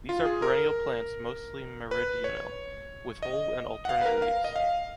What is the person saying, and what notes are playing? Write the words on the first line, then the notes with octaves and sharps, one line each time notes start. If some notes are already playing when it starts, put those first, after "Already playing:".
These are perennial plants mostly meridional, with whole and alternate leaves.
F4
G#4
A#4
B4
C#5
D#5
F#5
F5
B4
A#4
F5
D#5
F5